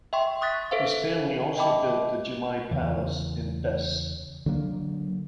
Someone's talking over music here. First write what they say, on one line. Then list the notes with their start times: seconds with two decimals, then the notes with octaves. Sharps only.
His family also built the Jamai Palace in Fes.
0.13 E5 G5 C6 C#6
0.41 C#6 D#6 F#6 A6 B6
0.71 A4 B4 C5 E5 F5
1.57 D#5 E5 G5 A5 B5 D6
2.71 E2 C#3 E3
4.46 D3 F#3 A#3